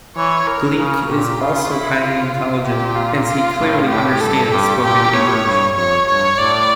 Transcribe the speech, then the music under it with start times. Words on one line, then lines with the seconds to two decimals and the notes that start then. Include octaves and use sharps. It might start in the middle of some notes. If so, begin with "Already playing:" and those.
Gleek is also highly intelligent, as he clearly understands spoken English.
0.16 E3 C#5
0.47 A#4
0.78 C#3
1.10 A#2 G4
1.40 C#3 F4
1.71 E4
2.03 C#3 F4
2.65 A#2 G4
2.96 F4
3.27 F4
3.58 A2
3.89 A2 G4
4.20 G2 A4
4.52 G2 G4
4.83 A#2 G4
5.14 A2 C#5
5.45 G2
5.76 F2 C#5
6.07 G2 C#5
6.38 A2 D5